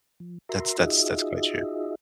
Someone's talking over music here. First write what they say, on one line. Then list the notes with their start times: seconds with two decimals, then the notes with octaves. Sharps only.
That's that's that's quite true.
0.20 F3
0.49 F#4 A#4 E5 A#5 C6
0.78 D#4 F4 F#4 G#4 D#5 E5